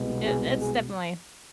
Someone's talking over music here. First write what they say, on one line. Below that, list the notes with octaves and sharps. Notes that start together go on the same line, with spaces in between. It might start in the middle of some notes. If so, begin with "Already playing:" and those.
that that's definitely
Already playing: C2 B2 G#3 B3
G#4
G#4